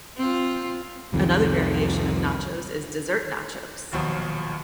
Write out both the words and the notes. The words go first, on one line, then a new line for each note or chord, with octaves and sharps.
Another variation of nachos is Dessert Nachos.
C4 F4
C2 F2 D#3
D#1 D#2 B2 F3 F#3